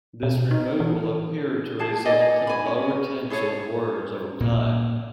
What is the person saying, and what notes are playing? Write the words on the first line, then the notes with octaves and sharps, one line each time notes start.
This removal appeared to result in a low retention of words over time.
B2
D#4
E3
E4 G#4 A5
D#4 D5 D#5 G#5
G#5 B5
C#4
E4 G#4 A4 C#5
A#2 A#3